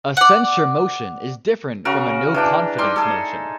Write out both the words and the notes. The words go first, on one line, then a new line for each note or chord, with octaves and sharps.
A censure motion is different from a no-confidence motion.
D5 F#5
C#3 F#4 A#4
E3 D4 G5
G3 D#4 G5 C6
G#4 A4